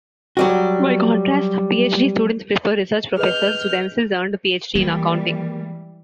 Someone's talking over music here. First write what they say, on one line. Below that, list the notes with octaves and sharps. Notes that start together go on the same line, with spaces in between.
By contrast, PhD students prefer research professors who themselves earned a PhD in accounting.
F#3 G3 F#4
G#4 B4 D#5 F6 G6
E3 G3 G#3 A#3